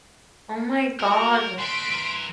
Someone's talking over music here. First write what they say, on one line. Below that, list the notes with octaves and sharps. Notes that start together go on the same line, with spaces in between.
Oh my god,
F#4 A#4
A3 F#4 C6 B6 D7
E3 A#4